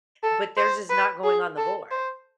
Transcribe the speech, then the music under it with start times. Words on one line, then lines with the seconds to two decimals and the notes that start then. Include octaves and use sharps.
but theirs is not going on the board.
0.23 A4
0.57 C5
0.90 B4
1.24 G#4
1.57 A4
1.91 C5